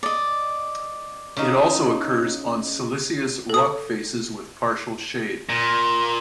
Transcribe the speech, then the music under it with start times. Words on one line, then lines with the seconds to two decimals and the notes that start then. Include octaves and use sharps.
It also occurs on siliceous rock faces with partial shade.
0.03 D5 D#5
1.37 C#3 D#4
3.50 A4 D#6
5.49 A#2